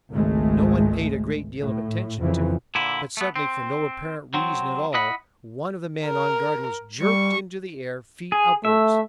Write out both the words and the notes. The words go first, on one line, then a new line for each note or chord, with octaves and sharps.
No one paid a great deal of attention to it, but suddenly for no apparent reason at all one of the men on guard was jerked into the air feet upwards.
G#1 C#2 G#3 A3
A2
F2 C#3 E3
A#2 D3 E4
A3 B3
C4
F#3 C4
E4 D#5 F#5 B5
A#4
G3 C#6
G#4
A3 E5